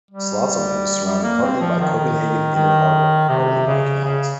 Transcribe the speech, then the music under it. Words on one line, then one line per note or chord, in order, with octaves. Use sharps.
Slotsholmen is surrounded partly by Copenhagen Inner Harbour, partly by canals.
G3
G3
A#3
C4
F3
D#3
D#3
C3
C#3
C#3